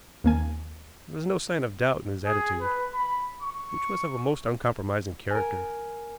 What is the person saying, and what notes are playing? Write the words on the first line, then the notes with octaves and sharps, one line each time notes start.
There was no sign of doubt in his attitude, which was of a most uncompromising character.
D#2 A#3 G#5
G#4
B4
B5
C#6
A#4 G#5